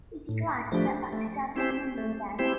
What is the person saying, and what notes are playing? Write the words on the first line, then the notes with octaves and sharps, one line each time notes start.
Is he glad to get back to Daddy and Mummy again?
A2
F3 A3 D4 G4
A3
C4 E4 G4 C5
A3
C4 E4 G4 C5